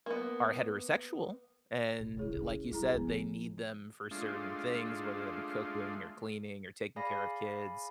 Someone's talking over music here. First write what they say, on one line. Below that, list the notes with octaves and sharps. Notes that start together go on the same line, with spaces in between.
are heterosexual, and like you said, they need them for certain things, whether that be cooking or cleaning or taking care of kids.
A#3 B3
B2
C#3 A3 E4 G#4 C#5
C#4
G3 E4 G#4 A#5
C3 F3 B3
G#3 A3 D4 F4
G#4 D5 F5 G#5 B5 A#6